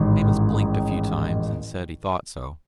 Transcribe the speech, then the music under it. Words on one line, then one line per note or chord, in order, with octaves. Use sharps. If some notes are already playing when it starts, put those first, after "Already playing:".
Amos blinked a few times and said he thought so.
Already playing: A1 G#2 D#3